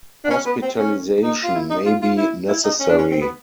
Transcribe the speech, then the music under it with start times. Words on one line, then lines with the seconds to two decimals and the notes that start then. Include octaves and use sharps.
Hospitalisation may be necessary.
0.24 D4
0.30 C#4
0.46 B3
0.62 C4
0.78 C#4
1.24 D#4
1.44 F4
1.55 E4
1.70 D#4
1.86 F4
2.02 F4
2.17 E4
2.48 E4
2.64 D#4
2.80 C#4
2.89 D4
2.98 C#4
3.11 C4
3.21 B3